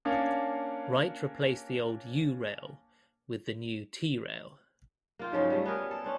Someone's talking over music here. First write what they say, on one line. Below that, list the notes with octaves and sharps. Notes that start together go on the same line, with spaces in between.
Wright replaced the old "U" rail with new "T" rail.
A#3 C#4 D4 C#5 F5
A#3 F4 G5
G#2 C#3 F3 F#3
G3 A3
B3 G#4 A#4
A4
C#4 D4 C5